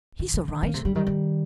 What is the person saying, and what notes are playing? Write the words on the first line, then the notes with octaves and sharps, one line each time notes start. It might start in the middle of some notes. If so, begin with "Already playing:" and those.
He's all right.
D3
D3
D#3
D#3 A#3
C3 A3
D3 G3
D#3 G3
D#3